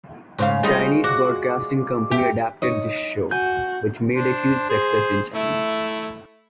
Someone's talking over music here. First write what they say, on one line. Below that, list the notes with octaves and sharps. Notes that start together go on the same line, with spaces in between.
Chinese broadcasting company adapted this show, which made a huge success in China.
G#2 C#3 C#4 C5 F5
G3 G#3 D#4 F4
F#4 D5
G4 E5 G5
D#4 C#5 D#5
F#4 G#5 G6
D4 C5
G#4 C5
A3 E4